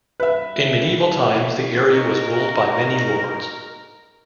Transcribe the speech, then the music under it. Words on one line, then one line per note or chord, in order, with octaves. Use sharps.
In medieval times the area was ruled by many lords.
B4 E5
D#4 F#4 A#4